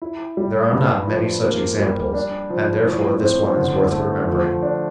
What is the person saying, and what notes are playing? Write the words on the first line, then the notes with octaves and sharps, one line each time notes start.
There are not many such examples, and therefore this one is worth remembering.
E4
G3
G2
F3
A#3
G3
D4
F3
A2
C4
D3
A3
F3
D4